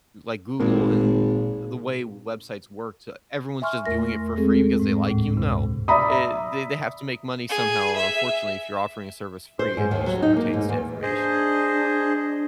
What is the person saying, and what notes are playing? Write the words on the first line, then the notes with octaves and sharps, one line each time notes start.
like, Google and the way websites work to everyone's just doing it for free because they like you? No. Eh they they have to make money somehow, unfortunately, if you're offering a service free, it usually pertains to information.
G#1 A#2 G#3 A#3
E5 G#5 C6 C#6 F6
E2 A3 A#4 A#6
G#3 C4 G#4 A4
G#2 G#3
D2 A2
G2 C3
D5 E5 A#5 B5 D#6
G#4
E5
C5
G#2
D#2
F#3
D#4
A#3
G#2
E2
D4 G#4 C5 D#5